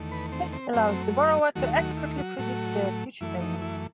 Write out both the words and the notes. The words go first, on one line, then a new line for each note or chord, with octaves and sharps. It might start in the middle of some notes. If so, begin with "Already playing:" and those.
This allows the borrower to accurately predict their future payments.
Already playing: E2 D#3 A3
B4 B5
C4 C5
C4 C5
F#2 F#3 A3 C4 C5
D#2 D#3 F#3 A3 F#4
F#3 F#4
E4
F#3 F#4
A2 F#3 A3
F#2 E3 A3 E4
D#4
E4